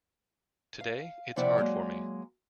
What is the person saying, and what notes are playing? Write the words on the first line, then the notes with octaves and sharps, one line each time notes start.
Today it's hard for me.
F5
D#2 C3 F3 E4 D5 F#5
F#3 G#3 A#3